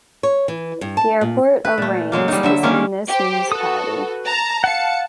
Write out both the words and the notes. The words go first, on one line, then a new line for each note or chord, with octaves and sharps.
The airport of Rennes is in this municipality.
C#5
E3
G2
A5
A#2
B4
A#2 A3
C#3 F#3 G#3 A#3
G3 D#4
D3 F#3 E5
D#3 G#3 A#3 C#4
G4 C5
F#4 A4 B4 D#6
A5 A#5
F5 F#5 A5 C#7